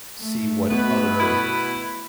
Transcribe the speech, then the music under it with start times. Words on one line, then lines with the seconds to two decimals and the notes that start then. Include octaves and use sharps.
see what other
0.19 A3
0.71 B2 B3 B4
1.19 E4